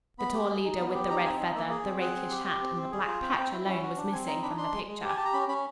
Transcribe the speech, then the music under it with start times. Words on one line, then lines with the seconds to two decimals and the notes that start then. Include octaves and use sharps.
The tall leader with the red feather, the rakish hat and the black patch alone was missing; from the picture.
0.19 B3 B5
0.34 G4
0.49 G#4
0.64 D#4
0.80 B3
0.94 G4
1.10 D#4 A#5
1.25 C4 G#5
1.40 D#4
1.55 A#3 E5
1.70 G#4
1.85 C4
2.01 G#4 F#5
2.16 C4
2.31 G4
2.46 G4
2.61 C4
2.76 C4
2.91 G#4
3.07 F4
3.22 C4 G5
3.37 C4
3.52 E4
3.67 C#4
3.82 F#4
3.97 D4
4.12 C4 G#5
4.28 D#4 A#5
4.42 D4 B5
4.58 D4 C6
4.73 G#3
4.88 G#3
5.03 G4
5.08 G#5
5.16 G4 A5
5.25 A#5
5.33 C#4 B5
5.48 C#4 B5